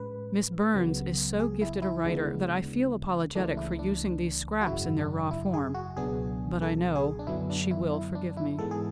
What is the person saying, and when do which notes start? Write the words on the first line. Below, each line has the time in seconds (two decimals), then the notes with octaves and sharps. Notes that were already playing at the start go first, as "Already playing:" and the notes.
Miss Burns is so gifted a writer that I feel apologetic for using these scraps in their raw form, but I know she will forgive me.
Already playing: A2 G#3 C#4 B4
0.74 C#2 C#3 F#3 B3
1.40 G#4
1.62 E4
1.82 E4
2.04 D2 C#3 G#3 B3 D4
3.35 C#2 C#3 E3 A3 D4
3.57 E4
3.79 D4
4.61 F#4
4.66 G#1 F#2 C#3 F#3 E4
4.99 D4
5.31 E4
5.54 G#4
5.74 F#4
5.96 C#2 B2 F#3 B3 D4 G#4
6.62 A4
6.96 G#4
7.19 D4
7.27 F#2 D3 F#3 B3 E4
7.50 D4
7.71 E4
7.94 E4
8.15 D4
8.37 E4
8.58 G#2 E3 G#3 B3 A4
8.71 G#4